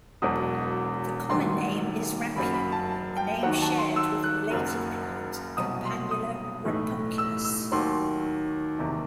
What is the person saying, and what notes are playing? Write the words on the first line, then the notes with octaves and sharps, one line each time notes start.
The common name is Rampion, a name shared with the related plant "Campanula rapunculus".
E1 E2 B2 F#3 D#6
A1 G2 D#3 F#3 C6
F#1 F#2 F#3 B5
B5
A5
A5
G5
D#2 D#3 F#3 F#5
A5
C6
E6
F#6
F#1 F#2 F#3
C2 B2 F#3 D#6
C6
D#6
B1 A2 E3
E6
E6
D#2 D#3 F#3 C6
F#1 E2 C3 D#3